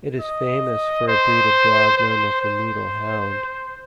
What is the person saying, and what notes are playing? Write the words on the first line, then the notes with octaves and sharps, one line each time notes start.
It is famous for a breed of dog known as the Mudhol Hound.
D#5
C5
C5
C5